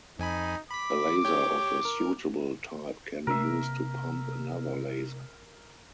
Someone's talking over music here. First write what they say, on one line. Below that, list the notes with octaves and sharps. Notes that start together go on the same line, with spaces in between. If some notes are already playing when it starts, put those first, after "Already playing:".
A laser of a suitable type can be used to pump another laser.
F2 D#4 G#5 B5
B5 D6 B6
G4 C#5 G6
A#4
C3 A#3 A#4 E5